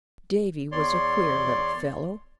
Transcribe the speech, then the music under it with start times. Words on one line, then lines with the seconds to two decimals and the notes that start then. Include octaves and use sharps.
Davy was a queer little fellow.
0.72 E2 C#5 D5 C6